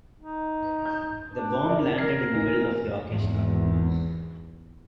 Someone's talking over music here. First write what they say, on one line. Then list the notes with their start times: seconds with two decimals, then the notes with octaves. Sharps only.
The bomb landed in the middle of the orchestra.
0.18 D#4
0.86 G6
1.30 D4
1.65 E4 A#4 D5
1.98 A#4 G#6 C7
2.33 E3 A#3 D#4
3.05 G#1 E2